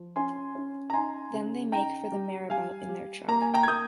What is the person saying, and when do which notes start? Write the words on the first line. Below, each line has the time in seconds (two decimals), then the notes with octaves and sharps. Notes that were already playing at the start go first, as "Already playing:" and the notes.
Then they make for the marabout in their truck.
Already playing: F3
0.16 C#4 G#5 C6
0.55 C#4
0.90 A#5
0.94 D#4 G#5 C6
1.33 C#3
1.72 D#4 G5 A#5
2.12 G3
2.50 G3 F5 G#5
2.89 G3
3.28 A#3 A#5
3.42 G#5
3.54 G5 A#5
3.63 G#6
3.67 A#3 D#6 G6